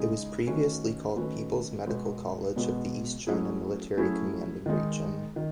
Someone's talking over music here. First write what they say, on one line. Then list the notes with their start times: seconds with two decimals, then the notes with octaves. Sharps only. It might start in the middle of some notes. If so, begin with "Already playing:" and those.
It was previously called People's Medical College of the East China Military Commanding Region.
Already playing: C#3 G#3 D#4 G#4
0.47 D#3 A3 C#4 F#4 B4
1.16 D#3 A3 C#4 F#4 B4
1.86 B2 G#3 B3 F#4 B4
2.56 B2 G#3 B3 F#4 B4
3.27 F#3 A3 C#4 E4 G#4
3.97 F#3 A3 C#4 E4 G#4
4.66 D#3 G#3 D#4
5.36 D#3